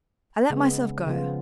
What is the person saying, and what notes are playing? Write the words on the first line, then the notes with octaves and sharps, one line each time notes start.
I let myself go.
C#3 G#3 B3
C#3 F3 B3 F4